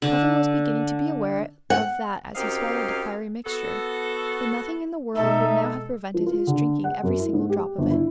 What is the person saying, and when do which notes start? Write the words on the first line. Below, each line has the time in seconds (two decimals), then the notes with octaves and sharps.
Puffin was beginning to be aware of that as he swallowed the fiery mixture, but nothing in the world would now have prevented his drinking every single drop of it.
0.02 D3
1.70 F#5
2.35 F#2 C4 D#4 G4 F5
3.45 B3 F#4 A4
5.15 B2 G#3 D#4 A4 E5
6.14 F3
6.26 F4
6.47 D3
6.84 F#5
7.03 F#2
7.18 E4
7.33 G#2
7.50 G4
7.78 G1
7.91 E4